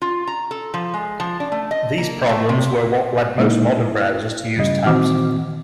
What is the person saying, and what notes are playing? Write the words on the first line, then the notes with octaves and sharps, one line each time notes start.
These problems were what led most modern web browsers to use tabs.
F4
A#5
A4
F3
G#3
F3
D4
A3
D#5
A#3
A3
C3
A#2 G#3 A#3 D#4 E4
E4
G2 C#3 G3 D#5
A#2 D#3 E3 C4 F#4 D6